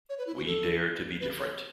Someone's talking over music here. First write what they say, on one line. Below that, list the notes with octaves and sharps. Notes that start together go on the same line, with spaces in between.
We Dare to Be Different.
C#5
B4
E4
F#4
A4
B4
C#5